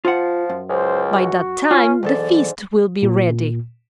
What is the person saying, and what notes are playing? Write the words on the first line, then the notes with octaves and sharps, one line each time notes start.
By that time the feast will be ready.'
F3 F4 F#5
F#2
C#2 C5
F#4
C#4 F4
B1 E2 G#2 A4 D5
A#2